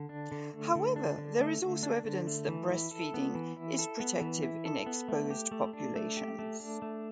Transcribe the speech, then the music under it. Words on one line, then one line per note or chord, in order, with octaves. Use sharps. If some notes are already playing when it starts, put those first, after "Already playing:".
However, there is also evidence that breastfeeding is protective in exposed populations.
Already playing: D3
D4
D3
A3
D3
D4
D3
A3
D3
D4
D3
A3
E3
E4
A4
B3
E3
E4
A4
B3
E3
E4
A4
B3
A3
G4
A3
D4
A3
G4
A3
D4
A3